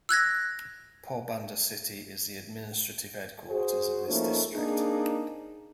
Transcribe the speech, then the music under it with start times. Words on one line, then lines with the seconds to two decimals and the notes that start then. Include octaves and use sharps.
Porbandar city is the administrative headquarters of this district.
0.09 E6 F#6 G#6 A#6
3.49 F#4 G#4 C5
4.08 F3 A3 A#3 C#4 D#4
4.54 A#3 C4 D4 D#4 G#4